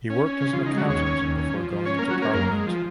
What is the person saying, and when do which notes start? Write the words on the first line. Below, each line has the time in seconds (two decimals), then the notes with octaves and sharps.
He worked as an accountant before going into parliament.
0.10 C#4
0.26 C#4
0.41 C#3
0.53 F3 F4
0.57 C#3
0.66 D#4
0.73 F#3 G#3 F#4
0.89 D#2 C#4 C#5
1.06 C#4
1.22 D#2
1.38 C#4
1.54 F3
1.70 F3
1.85 C#4 C#5
1.99 A#3 A#4
2.03 C#4
2.10 F#3 F#4
2.18 A#3 C#4 A#4
2.34 F#2 A#3 A#4
2.51 G#3
2.67 F3